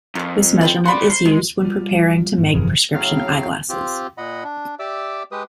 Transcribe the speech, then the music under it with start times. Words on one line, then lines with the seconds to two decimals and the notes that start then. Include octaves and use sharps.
This measurement is used when preparing to make prescription eyeglasses.
0.15 F2 D#3 F3
0.61 B3 F4 G5
0.85 F#4 D5 B5 C6
1.10 C5
1.25 D#3 G#3
1.62 G3 F4
2.38 G#2
2.54 G1 F2 C3 E3 G#4 A#4
2.94 A2 C#3 F#3 F5 F6
3.69 C4 F4 G4
4.18 A#2 D#5 F#5 B5
4.44 D4
4.79 G4 D5 E5 D6 E6
5.31 G#3 G4 B4 D#6